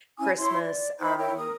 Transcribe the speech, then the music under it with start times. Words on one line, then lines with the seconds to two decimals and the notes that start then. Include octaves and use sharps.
Christmas, um,
0.18 C#4 E4 G#5
0.37 E4 C#5 C6
0.57 D5
0.99 D#4 E4 C5 B5
1.17 E4 A#4 C#5 G5
1.36 A#4 D#6